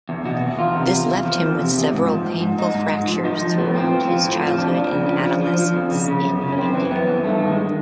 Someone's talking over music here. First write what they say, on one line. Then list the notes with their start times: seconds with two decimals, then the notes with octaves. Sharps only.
This left him with several painful fractures throughout his childhood and adolescence in India.
0.09 E2
0.25 B2 F#4
0.42 E2
0.58 E2 F4
0.76 C3
0.92 E2
1.09 E2
1.25 F3
1.42 E2
1.58 C3
1.75 E2
1.92 G#2
2.08 F3
2.24 G#2
2.41 G#2
2.58 G#2 D#4
2.75 G#2
2.92 G#2
3.08 F3
3.24 F3 D#4
3.42 F3
3.58 A2 B3
3.75 F3 C4
3.92 F3
4.08 F3
4.25 A2
4.42 F3
4.58 F2 D4
4.75 F3
4.91 C#3
5.08 F3
5.25 F3
5.41 F3
5.58 F3
5.75 F2
5.91 C#3
6.08 C#3
6.25 F#2
6.41 C#3
6.52 C#4
6.58 F#2 C4
6.74 E3
6.91 F#2 B3
7.08 E3
7.24 G2 A3
7.41 D#3
7.47 G#3